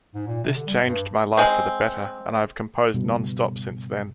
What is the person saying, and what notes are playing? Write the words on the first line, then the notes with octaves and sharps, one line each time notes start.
This changed my life for the better and I have composed non-stop since then.
G#2
A#2
C3
D3
G3
G2
G#3 C4
C#2 G2 B2